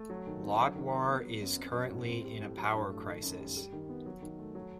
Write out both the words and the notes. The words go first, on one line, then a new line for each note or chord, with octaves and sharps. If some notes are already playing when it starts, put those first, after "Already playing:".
Lodwar is currently in a power crisis.
Already playing: A3
F#3
D#3
C4
F#3
D#3
C4
B3
F#3
F#2
C4
F#3
A2
C4
G3
A2
F#3
G2
A3
D#3
F#2
G3
G3
D#3
B3
F#3
D#3
A3
F#3